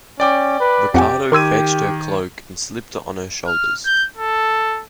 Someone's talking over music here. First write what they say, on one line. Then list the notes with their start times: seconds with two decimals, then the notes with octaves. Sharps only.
Ricardo fetched her cloak and slipped it on her shoulders.
0.20 C#4 D5 G5 D6
0.60 B4
0.94 F2 G4 F#5 G#5
1.32 D#3 G4 A#4 C6 E6 G#6 D#7
3.47 F6
3.86 G6
4.18 A4